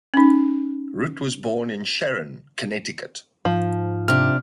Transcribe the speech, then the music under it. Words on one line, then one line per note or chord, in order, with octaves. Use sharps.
Rudd was born in Sharon, Connecticut.
C#4 D#4
G#2 F3
C3 D4 F6